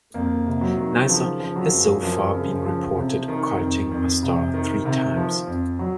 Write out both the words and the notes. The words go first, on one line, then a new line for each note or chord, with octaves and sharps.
Nysa has so far been reported occulting a star three times.
F2 A#3
C3
F#3
D#3
C#3 F3
F3
F#3
F#2
F#2 F3
C#3
F3
C3
D#3
F2
F2
C3
D#3
C3
F3
F2
F#3